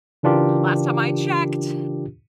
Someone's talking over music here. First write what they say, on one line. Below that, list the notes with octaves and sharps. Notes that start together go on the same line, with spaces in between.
Last time I checked
C#3 E3 D4 F4 G4 A#4